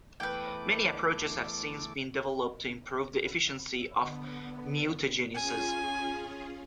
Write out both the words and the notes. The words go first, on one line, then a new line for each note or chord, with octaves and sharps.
Many approaches have since been developed to improve the efficiency of mutagenesis.
E2 A3 B4 G5 D6
D3 B3
C#4 F4 G#4 G#5